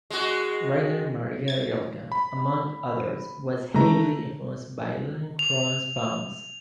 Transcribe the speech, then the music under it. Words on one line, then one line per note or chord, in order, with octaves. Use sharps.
Rainer Maria Rilke, among others, was heavily influenced by Liliencron's poems.
G#3 F#4
G#6 A6
B5
C#3 E3 G#3 A3 A#5
F7